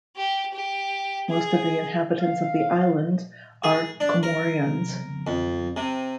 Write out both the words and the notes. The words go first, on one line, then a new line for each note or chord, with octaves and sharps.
Most of the inhabitants of the island are Comorians.
G4
G4
G#4
F5
G#4
D4
A#4
F2
C3